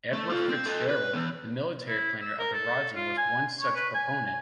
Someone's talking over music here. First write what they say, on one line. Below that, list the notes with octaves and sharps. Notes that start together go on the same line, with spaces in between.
Edward Fitzgerald, the military planner of the rising was one such proponent.
A3
F4 A4
C4
A4 D#5
B4
E3 B3
E4
E6
A#4
A4
F4
G#5
C#5
B4
G#5
G#5